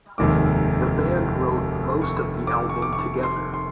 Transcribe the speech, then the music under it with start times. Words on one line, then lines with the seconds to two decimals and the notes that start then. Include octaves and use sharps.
The band wrote most of the album together.
0.18 F1 D#2 D#3 G#3 D6
2.02 C#6
2.47 D6
2.69 C#6
2.82 D6
2.93 C#6
3.23 C6
3.54 C6